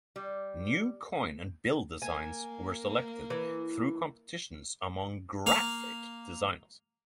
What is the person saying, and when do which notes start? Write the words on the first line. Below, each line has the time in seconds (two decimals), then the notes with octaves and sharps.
New coin and bill designs were selected through competitions among graphic designers.
0.16 G3
2.02 A#3 G#5
3.30 E3
5.46 A#3 F5